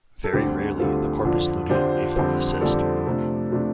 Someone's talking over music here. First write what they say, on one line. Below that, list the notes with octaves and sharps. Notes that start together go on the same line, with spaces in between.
Very rarely, the corpus luteum may form a cyst.
A4
D2 D3 G3 C4 G4
D2 D3 G3 C4 F4 A4
F2 D3 F3 D4
F2 D3 F3 D4 G4 C5
F2 D3 G3 C4
F2 D3 G3 C4 A4 D5
C3 F3 A3 D4
C3 F3 A3 D4